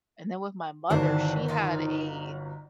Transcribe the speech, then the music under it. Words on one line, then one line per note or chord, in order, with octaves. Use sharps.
and then with my mother, she had a
G1 B2 D#3 E3 C4 D4
D#4 F4